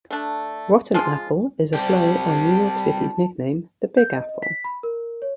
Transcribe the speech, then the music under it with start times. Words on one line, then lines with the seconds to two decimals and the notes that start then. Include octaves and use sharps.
"Rotten Apple" is a play on New York City's nickname "The Big Apple".
0.11 A3 D4
0.94 F3 G#3 F4 C6
1.74 G3 C4 G4 A5
3.97 G6
4.15 D#5
4.29 D#5
4.42 B6
4.64 B5
4.83 A#4
5.22 C#5